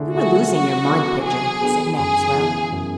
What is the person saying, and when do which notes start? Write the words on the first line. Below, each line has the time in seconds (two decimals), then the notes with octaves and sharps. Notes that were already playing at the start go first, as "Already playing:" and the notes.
"You are losing your mind, Pitcher," said Maxwell.
Already playing: D3 A3 E4 G#4
0.15 A3 E4 F#4 G#4
0.52 F#3 F#4
0.87 B3 D4 A4
1.24 F#3 G#4
1.61 B3 D4 A4
1.98 F#2 G#4
2.34 E3 B3
2.72 F#2